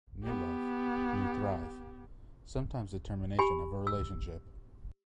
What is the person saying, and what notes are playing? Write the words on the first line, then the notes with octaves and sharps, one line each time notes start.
New love, new thrive; sometimes determination of a relationship.
B3 G4
G4 G#5 B5
E6